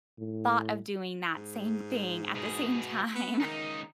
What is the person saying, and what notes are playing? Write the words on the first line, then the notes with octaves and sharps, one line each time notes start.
thought of doing that same thing at the same time.
A2
G#2
B2 G#4
B3
C#2 D#3 D#4